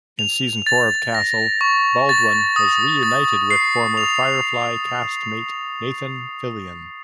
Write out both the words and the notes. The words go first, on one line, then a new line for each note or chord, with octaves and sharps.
In season four of "Castle", Baldwin was reunited with former "Firefly" castmate Nathan Fillion.
F7
A6
A#6
C#6
A6
D#6
A6
C7
F7